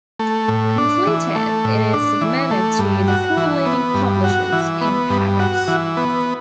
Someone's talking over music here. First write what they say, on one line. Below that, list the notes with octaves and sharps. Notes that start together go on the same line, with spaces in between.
Completed, it is submitted to the four leading publishers in Paris.
A3
A2
D4
E3
A3
A2
D4
E3
A3
G2
F#4
E3
B3
G2
F#4
E3
B3
G2
F#4
E3
B3